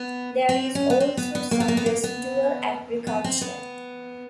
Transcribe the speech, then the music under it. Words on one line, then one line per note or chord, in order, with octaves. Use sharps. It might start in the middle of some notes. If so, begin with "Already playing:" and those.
There is also some residual agriculture.
Already playing: B3
C4
C#4
B3
C4
B3
B3
A#3
B3
A#3
B3
A#3
B3
B3
C4
B3